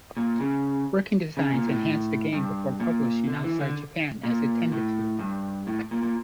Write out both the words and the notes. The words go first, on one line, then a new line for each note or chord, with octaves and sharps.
Working Designs enhanced the game before publishing it outside Japan, as it tended to.
A#2
C#3
C#3
A#2
A2
G2
A#2
D3
E3
D3
A#2
A2
G2
A2
A#2
A#2